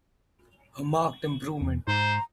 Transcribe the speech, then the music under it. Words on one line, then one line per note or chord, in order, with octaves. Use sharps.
A marked improvement.
E2
G#2 C5 A#5